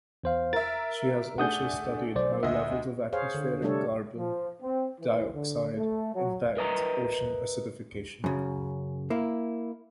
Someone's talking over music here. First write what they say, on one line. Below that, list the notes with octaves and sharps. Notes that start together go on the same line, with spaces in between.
She has also studied how levels of atmospheric carbon dioxide impact ocean acidification.
E2 C5 F5
A#4 E5 A6
A3 D4 G#4 F#5 D#6 G6
B1 C5 D5
D2 D#5 E5
G#4 C5 C#5 F5
D3
C3 G3 A3 D4 A4 C#5
F3
C4
E3
D3
A3
F#3
A#4 B4 D#5 E5 F#5 A#5
F#2 C#3
A#3 E4